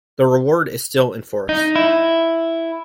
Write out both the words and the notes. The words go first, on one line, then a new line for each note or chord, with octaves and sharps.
The reward is still in force.
D#4
E4